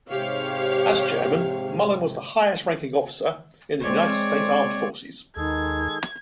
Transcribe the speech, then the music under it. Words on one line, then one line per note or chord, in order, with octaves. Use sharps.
As Chairman, Mullen was the highest-ranking officer in the United States Armed Forces.
G#2 C3 G4 C#5 F5
G#3 C4 C#5 D5
D#2 D#3 G#3 G#4 A4 G#6